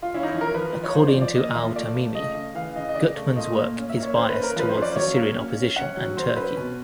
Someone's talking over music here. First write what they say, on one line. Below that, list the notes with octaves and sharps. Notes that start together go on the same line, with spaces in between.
According to Al-Tamimi, Gutman's work is biased towards the Syrian opposition and Turkey.
F4
C#4 E4
D#4
E4
F3
A#4
F3 B4
F3
C#5
F3 C5
D5
F3
D5
A#3 D#5
F3 E5
A3 D5
A3
C#3 D#5
C#3
E3 F5
C#3 D#5
D#5
C#3 D5
A3
A#2 D#5
A#3
C#4
E5
A#3
C#5
C#4 C5
B4
C#4
A#4
F3 B4
C5
C#4
D5
F#3 C#5
A#3
C#4
C#4
C#4 F#5
F#3
F#3 C5
C#4 B4
B2